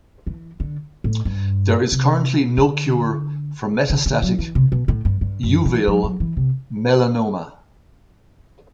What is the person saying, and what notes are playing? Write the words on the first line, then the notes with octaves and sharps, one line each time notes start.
There is currently no cure for metastatic uveal melanoma.
E3
D3
A2
G2
C3
D3
D3
D3
F#3
E3
C3
B2
A2
G2
G2
F#2
E3
F#3
F#3
E3
C3